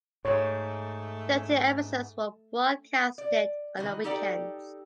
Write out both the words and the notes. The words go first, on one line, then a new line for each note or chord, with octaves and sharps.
Thirteen episodes were broadcasted on the weekends.
G#2 A3 C#5
D5
D#3 E3 F#4
D#4 G4 A4 D5 G5